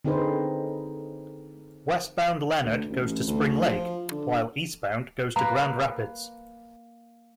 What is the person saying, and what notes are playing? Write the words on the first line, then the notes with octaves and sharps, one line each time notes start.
Westbound Leonard goes to Spring Lake, while eastbound goes to Grand Rapids.
D3 C4 D#4 G#4 B4 C5
D2
A1
D2
F3
D3
A#3 B4 A#5